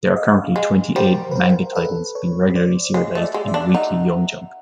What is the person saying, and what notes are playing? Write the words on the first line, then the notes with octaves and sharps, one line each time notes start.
There are currently twenty-eight manga titles being regularly serialized in "Weekly Young Jump".
D#5 F5
G#3
G3 A#4 C5
B4
A#4 C5
A4 B4
B4 C#5
C5 D5
G#3 C#5 D#5
A3 D#5
D5 E5
G#3
D5 E5
D4
D#4 E5 F#5